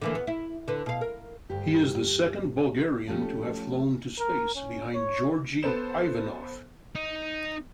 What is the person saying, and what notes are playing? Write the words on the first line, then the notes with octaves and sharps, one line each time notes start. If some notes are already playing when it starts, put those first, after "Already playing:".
He is the second Bulgarian to have flown to space, behind Georgi Ivanov.
D3 E3 A#3
B3
E4
D3 B4
B2 F5
A#4
D2 G2 G4
F3 A3 C#4 G4 A4
A#4
C#4
C#5
B3 A4 C5 E7
D#4